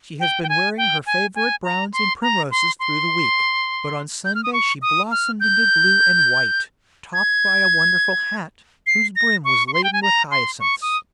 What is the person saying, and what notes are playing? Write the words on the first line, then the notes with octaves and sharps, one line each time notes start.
She has been wearing her favourite browns and primroses through the week, but on Sunday she blossomed into blue and white, topped by a wonderful hat, whose brim was laden with hyacinths.
G5
G5
G#5
G5
G#5
G#5
A#5
C6
A#5
C6
C6
G6
F6
D#6
C#6
D#6
F6
G6
G#6
C7
A#6
C#6
C#6
C6
G5
G#5
A#5
C6
C#6
D#6